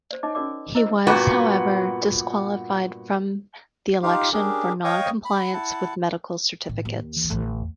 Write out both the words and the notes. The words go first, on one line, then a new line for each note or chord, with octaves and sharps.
He was, however, disqualified from the election for non-compliance with medical certificates.
C5 D5
D#4 C#5 D#5 D6
C#4 D#4 F#4 A#4 D5 D6
E4 A#4 C5 D#5
G2 A#2 B3 F#4
D#4 F4 G4 F5
C#4 D4 G4 G#4 A#4
C#5 D#5 F5 G5 C#6 D#6
B5
E4 F#5 A5
A2 D#3
D#2
E3
A1 D2
E2